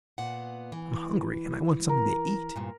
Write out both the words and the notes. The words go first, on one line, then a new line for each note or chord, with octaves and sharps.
"I'm hungry, and I want something to eat!"
A#2 B3 F#5
E3
A#4
D2 G2 A#2